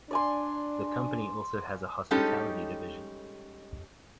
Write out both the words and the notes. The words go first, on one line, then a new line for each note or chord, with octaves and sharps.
The company also has a hospitality division.
D4 D5 G#5 C6
G3 G#3 C#4 D#4 G4 A4